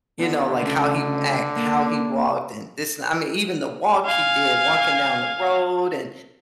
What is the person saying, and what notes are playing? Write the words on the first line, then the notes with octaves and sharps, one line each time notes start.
you know, like, how he act, how he walked, and this I mean, even the walk he did, walking down the road and
D3 B3
C#3 A3
A#3
F5 G#5